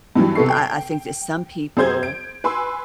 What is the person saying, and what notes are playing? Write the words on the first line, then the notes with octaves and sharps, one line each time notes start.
I I think that some people
G2 E3 F#3 G3
C3 B3 A4 C#6 C7
G5
F#2 G#4 C5 G6 G#6
D7
B4 G#5 B5 C6 E6